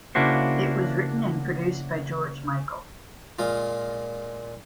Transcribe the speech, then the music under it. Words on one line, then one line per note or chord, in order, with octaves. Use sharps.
It was written and produced by George Michael.
C#3 A#3 D4 E4 F#4 C5
A#2 G#3 F4